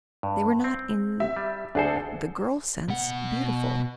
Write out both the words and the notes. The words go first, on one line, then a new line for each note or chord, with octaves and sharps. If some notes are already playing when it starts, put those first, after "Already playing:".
They were not, in the girl sense, beautiful.
G2
C4
E5
G3
D2 D4 G#4 A4 C5
B2 F#5